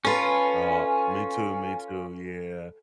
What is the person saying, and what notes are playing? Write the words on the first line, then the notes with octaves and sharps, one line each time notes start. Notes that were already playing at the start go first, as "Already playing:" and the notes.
Uh, me too. Me too. Yeah.
C#4 F4 A4 B4 G#5